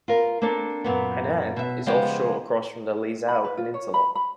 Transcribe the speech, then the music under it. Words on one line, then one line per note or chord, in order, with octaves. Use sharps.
Hainan is offshore across from the Leizhou Peninsula.
F4 A#4
A#3 C4 D4 A4
F#2 A#2 B3
B2 E5
C#3 F3 G#3 B3 G4 C5
B5
B4
F4
C#5
B5
B5